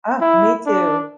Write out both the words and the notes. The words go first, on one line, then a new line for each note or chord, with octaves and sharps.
Uh, me too.
E4
D4